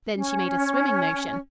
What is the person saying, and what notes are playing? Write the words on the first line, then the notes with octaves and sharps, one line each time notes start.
Then she made a swimming motion.
C#4